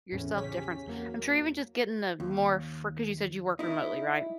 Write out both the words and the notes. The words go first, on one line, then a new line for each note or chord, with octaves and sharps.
yourself difference. I'm sure even just getting the more fri 'cause you said you work remotely, right?
E2 A2 C#4
E2 C#3 C#4 G4 B6
E2 F#3 A#3
D#2
D#4 E4